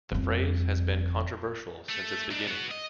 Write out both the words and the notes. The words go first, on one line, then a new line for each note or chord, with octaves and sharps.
The phrase has been controversial since its beginning.
G1 F2
A3
D4 D#4
B3 F#4
D#5